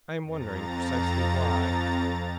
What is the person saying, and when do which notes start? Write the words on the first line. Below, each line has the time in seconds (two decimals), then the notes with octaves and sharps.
"I am wondering precisely why."
0.22 F2 A#5 A6